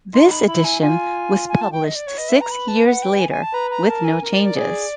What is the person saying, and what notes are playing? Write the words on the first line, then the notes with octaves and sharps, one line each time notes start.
This edition was published six years later with no changes.
D#4 C6
B5
E4 B5
G#5
F4 G#5
G#5
A5
G5
D#5
D5
C#5
B4 D#5
E5
A#5
B5
A5
F#5
G5
G#5
G#5
A5
B4 A#5
A#5
A#4 A5
G#5
A#4
D5
D5
G#4